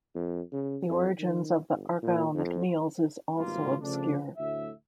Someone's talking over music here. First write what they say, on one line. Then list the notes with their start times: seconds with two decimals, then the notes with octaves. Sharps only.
The origins of the Argyll MacNeills is also obscure.
0.15 F2
0.52 C#3
0.89 F2
1.19 D#3
1.69 G1
2.02 A#2
2.34 F2
3.37 G#1 B2 G3 A#3 F4
3.80 C#3 F3 A3 D4
4.37 D2 A2 E5